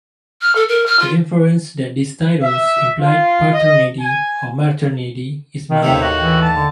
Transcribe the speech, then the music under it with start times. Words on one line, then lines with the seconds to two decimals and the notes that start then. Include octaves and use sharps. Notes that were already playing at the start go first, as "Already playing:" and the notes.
The inference that these titles implied paternity or maternity is my own.
0.41 F6
0.55 A4
0.69 A#4
0.86 F6
0.99 F4
2.43 E5
3.00 F4
3.53 D#5
4.00 G#5
5.70 D#3
5.83 D#2 A2 C3 D#3 E5
6.02 F#4
6.21 E3
6.42 A5
6.55 D3